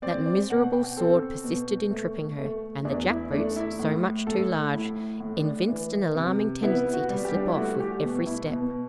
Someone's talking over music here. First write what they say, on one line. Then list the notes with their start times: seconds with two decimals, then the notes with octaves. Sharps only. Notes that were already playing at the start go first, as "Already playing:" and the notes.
That miserable sword persisted in tripping her, and the jack-boots, so much too large, evinced an alarming tendency to slip off with every step.
0.02 C4 D5
0.26 D5
0.50 B2 F#5
0.73 G5
0.96 C4 A4
1.44 B2
1.91 A3
2.38 A3
2.85 E2 D4
3.09 E4
3.32 A3 D4
3.56 E4
3.79 A2
4.27 A2 A4
4.74 A2 E4
5.20 A2
5.37 D4
5.68 E3
6.15 C3
6.63 B3 E4
6.93 F#4
7.10 G3
7.25 G4
7.37 D4
7.47 E4
7.56 A3 F#4
7.80 G4
8.03 B2
8.26 E4
8.50 B2